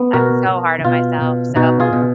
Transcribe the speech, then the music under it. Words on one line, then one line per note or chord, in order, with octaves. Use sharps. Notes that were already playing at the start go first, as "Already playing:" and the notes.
I'm so hard on myself, so
Already playing: B3
B2 F#4 A#4
B2
B2 F4
B2
B2 D#4 F#4
F4 G#4
B2